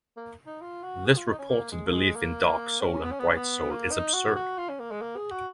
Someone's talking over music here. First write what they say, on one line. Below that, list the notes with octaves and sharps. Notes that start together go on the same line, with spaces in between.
This reported belief in dark soul and bright soul is absurd.
A#3
D#4
F4
F#4
G#4
F4
D#4
C#4
A#3
G#3
A#3
G#3
A#3
C#4
B3
C#4
B3
C#4
B3
A#3
D#4
F#4
F#4
F4
C#4
A#3
G#3
A#3
G#4
F#4